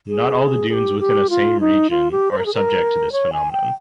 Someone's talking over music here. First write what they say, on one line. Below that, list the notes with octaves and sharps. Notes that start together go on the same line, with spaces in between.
Not all the dunes within a same region are subject to this phenomenon.
G#4
G#4
G4
G4
F4
D#4
F4
G4
C5
A#4
G#4
A#4
C#5
G#5
G5